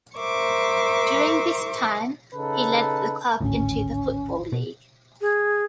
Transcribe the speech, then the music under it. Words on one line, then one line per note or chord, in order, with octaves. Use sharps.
During this time, he led the club into the Football League.
A#4 C5 E5 C#6 D6
C#3 D#4 A4 B4
G#1 D2 A2 C#4
B2
G#4